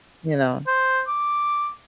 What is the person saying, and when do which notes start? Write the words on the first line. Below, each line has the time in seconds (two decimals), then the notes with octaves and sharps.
you know,
0.67 C5
1.08 D6